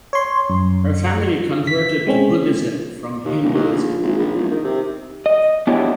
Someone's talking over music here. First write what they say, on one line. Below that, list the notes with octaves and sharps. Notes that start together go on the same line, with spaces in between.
Her family converted to Buddhism from Hinduism.
C#5 C6
F#2
B6
G#3 C4 C#4
D#2
D1
D#2
A#1
G#1
A#1
E1
D#3
C3
D#5
B3 D4 E4 F#4 G4 C#5